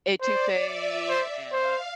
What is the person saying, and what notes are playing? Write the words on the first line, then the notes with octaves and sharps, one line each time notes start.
etouffée, and
C5 D5
E5
C5
C5 F5